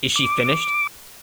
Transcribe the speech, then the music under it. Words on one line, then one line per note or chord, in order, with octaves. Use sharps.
Is she finished?
D6